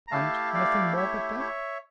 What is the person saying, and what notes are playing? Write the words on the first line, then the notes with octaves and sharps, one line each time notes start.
"And nothing more but them?"
A#5
A3 E4 G4 F5 A5
D5 F5
C#5 E5
C#5 E5